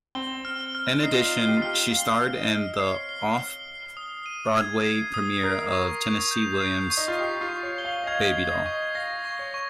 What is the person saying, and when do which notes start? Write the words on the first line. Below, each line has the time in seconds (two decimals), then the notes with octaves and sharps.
In addition, she starred in the off-Broadway premiere of Tennessee Williams' "Baby Doll".
0.15 C4 G7
0.45 F6
0.75 F6
1.03 D#4 C7
1.14 F4
1.24 D#4
1.33 G7
1.48 G4
1.57 F4
1.62 G4 F6
1.91 F5 G7
2.21 F6
2.36 D#5
2.50 F6
2.79 C#5 C7
3.09 G7
3.38 F6
3.68 C7
3.97 D#6
4.26 D#7
4.55 G#6
4.84 C7
5.14 D#6
5.43 A#4 C7
5.72 C#6
6.02 F7
6.31 G6
6.61 C7
6.90 C#6
6.97 D#4
7.08 F4
7.19 G4 C7
7.41 F4
7.49 C#6
7.63 C#5
7.78 G7
7.85 F5
8.04 D#5
8.07 F5 G#6
8.37 C7
8.51 D#5
8.66 C#6
8.95 F5 A#6
9.25 C#6
9.39 C#5
9.54 C#6